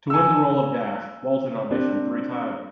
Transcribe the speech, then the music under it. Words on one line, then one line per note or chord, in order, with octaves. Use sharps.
To win the role of Dash, Walton auditioned three times.
G#5 E6
C4 D4 G4